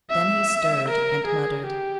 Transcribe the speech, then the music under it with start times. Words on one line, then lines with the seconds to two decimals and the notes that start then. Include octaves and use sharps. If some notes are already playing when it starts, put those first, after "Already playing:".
Then he stirred and muttered.
0.11 E5
0.89 A#4
1.28 G#4
1.67 G4